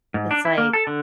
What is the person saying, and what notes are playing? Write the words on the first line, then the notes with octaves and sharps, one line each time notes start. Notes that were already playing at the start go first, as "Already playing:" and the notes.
It's, like,
G#2
D4
E4
A#3
A4
D3